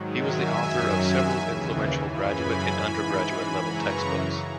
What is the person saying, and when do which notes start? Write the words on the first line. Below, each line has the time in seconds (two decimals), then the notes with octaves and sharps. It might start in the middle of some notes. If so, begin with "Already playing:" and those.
He was the author of several influential graduate and undergraduate level textbooks.
Already playing: G#2 D#3 F#3
0.17 E5 G#5
0.55 F#2 D#3 F#3
1.33 D#2 C#3 E3
2.09 F#2 C#3 E3 G#5 B5
2.86 G#2 E3
3.63 F#2 C#3 E3 A#5 C#6